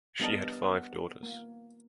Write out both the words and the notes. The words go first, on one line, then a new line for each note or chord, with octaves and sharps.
She had five daughters.
G3 B3 D4 A#4 D#5 A5
F#5
A#3